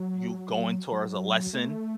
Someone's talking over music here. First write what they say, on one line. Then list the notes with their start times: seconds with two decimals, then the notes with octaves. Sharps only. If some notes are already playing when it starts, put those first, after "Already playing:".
you going towards a lesson
Already playing: F#3
0.92 F#3
1.53 A3